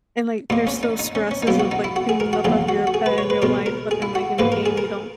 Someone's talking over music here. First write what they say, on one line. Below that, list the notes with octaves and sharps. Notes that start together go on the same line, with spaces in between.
and, like, there's still stresses of, like, cleaning up off your pet in real life. But then, like, in the game, you don't
A#2 A#3 D#4
C#4
D#4
D#4
C#4
C#4
D#4
B2 F#3 A#3 E4
F#4
D#4
E4
F#4
G#4
A#4
F#4
E2 D#3 F#3 A#3 G#4
F#4
F#4
G#4
B4
C#5
B4
B2 G#3 A#4
A#4
G#4
E4
F#4
G#2 E3 A#3 B4
A#4
G#4
A#4